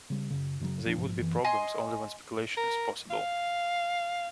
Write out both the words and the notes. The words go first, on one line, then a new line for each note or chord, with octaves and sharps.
They would be problems only when speculation is possible.
C#3 G3
F#2 C#3
F#2 C#3 F3 F#3
D#1 F3 D4
B1 G#2 F3
F#2 E3
D#5 G#5 C6
A#4
F5